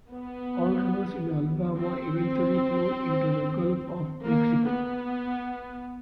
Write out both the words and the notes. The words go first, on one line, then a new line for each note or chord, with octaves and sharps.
All rivers in Alabama eventually flow into the Gulf of Mexico.
B3
C4
A#3
B3